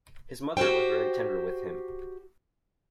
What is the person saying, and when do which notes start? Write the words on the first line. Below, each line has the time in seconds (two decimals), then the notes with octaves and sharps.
His mother was very tender with him.
0.57 F#4 G4 A#4 C5 G5